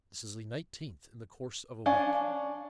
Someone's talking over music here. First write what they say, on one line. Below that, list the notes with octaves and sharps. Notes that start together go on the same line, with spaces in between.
This is the nineteenth in the course of a week.
C#4 D4 F5